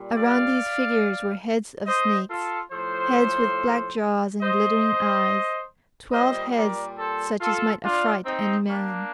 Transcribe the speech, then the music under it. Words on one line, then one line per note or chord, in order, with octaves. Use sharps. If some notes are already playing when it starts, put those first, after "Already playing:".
Around these figures were heads of snakes, heads with black jaws and glittering eyes, twelve heads such as might affright any man.
Already playing: A#2 G3
D5 F5
C5 D#5
F4 A4
A2 F3 A4 C5
C5 D#5
A#2 G3 C5 D#5
A#4 D5
A4 C5
F4 A4
D4 F4
C4 D#4
A#3 D4